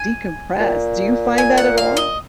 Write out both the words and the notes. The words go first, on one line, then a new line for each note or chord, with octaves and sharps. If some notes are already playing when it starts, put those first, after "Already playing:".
decompress." Do you find that at all?
Already playing: G#5
A#2
G#5
F#5
F5
D#5